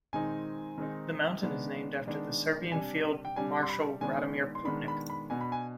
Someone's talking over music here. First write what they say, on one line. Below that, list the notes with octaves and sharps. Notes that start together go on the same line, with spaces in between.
The mountain is named after the Serbian Field Marshal Radomir Putnik.
D#3 G#3 C4 D#4 G#5
D#3 G#3 C4 D#4
D#3 G#3 B3 D4
D#3 G#3 B3 D4
C3 G3 D4 G#5
G5
C3 G3 D4 G#5
C6
B5
D#3 G#3 B3 D4 G#5
C6
D#3 G#3 B3 D4 B5
B5
B5
B2 B3 D4 G#5
B5
G#5